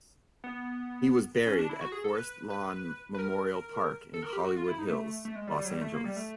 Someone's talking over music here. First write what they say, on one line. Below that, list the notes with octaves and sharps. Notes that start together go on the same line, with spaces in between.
He was buried at Forest Lawn Memorial Park, in Hollywood Hills, Los Angeles.
B3
C#4
D4
E4
F#4
G#4
A4
B4
B4
B4
A#4
A4
A#4
G4
F#4
F4
E4
D#4
A3
A3
G#3
G3
G3
F#3
G3
A3
A#3
G3
A3